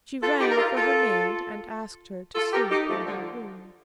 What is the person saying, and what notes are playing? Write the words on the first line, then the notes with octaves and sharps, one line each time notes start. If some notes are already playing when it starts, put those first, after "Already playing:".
She rang for her maid and asked her to sleep in her room.
F4 A4
D#4 G4
A#4
F4 A4
F4 A4
F4 A4
G4 A#4
D#4 G4
F3 A3
D3 F3